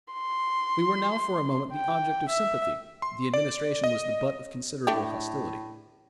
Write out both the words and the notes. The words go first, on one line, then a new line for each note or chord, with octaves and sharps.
We were now for a moment the object of sympathy; the Administration was the butt of considerable hostility.
C6
G5
E5
C6
D5
D#5
A2 A3 D4 G4